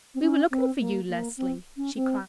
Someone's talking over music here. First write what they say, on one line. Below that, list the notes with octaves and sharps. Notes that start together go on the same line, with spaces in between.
"We were looking for you, Leslie," she cried.
C4
C#4
C4
A#3
A#3
C4
C#4
C4